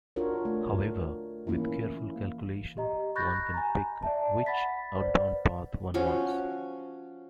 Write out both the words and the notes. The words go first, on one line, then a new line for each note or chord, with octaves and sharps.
However, with careful calculation, one can pick "which" outbound path one wants.
D4 F4 F#4 A#4 C#5
A3
E3 A#3 C#4 E4
G4 D#5 A#5
B5 C#6 F#6 G6 A6 A#6
G#5 A#5
D5 E5 A5
F#5 B5 A6 B6
B4 C5 D5
F3 C#4 F#4